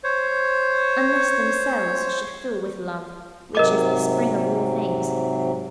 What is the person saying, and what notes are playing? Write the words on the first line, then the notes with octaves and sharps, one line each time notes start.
Unless themselves should fill with love, which is the spring of all things.
C5 C#5
G#2 C3 F#3 A#4 D#5 D6